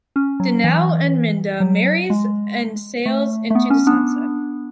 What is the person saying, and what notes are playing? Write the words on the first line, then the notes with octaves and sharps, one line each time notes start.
Danao and Minda marries and sails into the sunset.
C#4
F#3
E3
F#3
G#3
A3
A3
B3
C#4
B3 D4